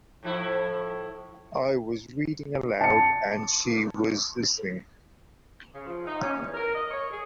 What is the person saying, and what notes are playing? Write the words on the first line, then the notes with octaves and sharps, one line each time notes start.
I was reading aloud, and she was listening.
A2 F3 E4
A5 C#7
C#3
F3
D#4
C#4
E2
A#4
D#5
C#5
G#4